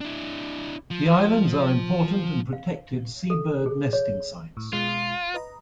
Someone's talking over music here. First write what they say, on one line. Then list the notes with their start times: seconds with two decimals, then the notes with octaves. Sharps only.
The islands are important and protected seabird nesting sites.
0.01 D4 E4
0.91 F3
2.53 F5
3.30 A4
3.66 G#4
3.93 C#5
4.57 A2
4.73 B2 G#3 F4
5.34 B4 D#5 A#5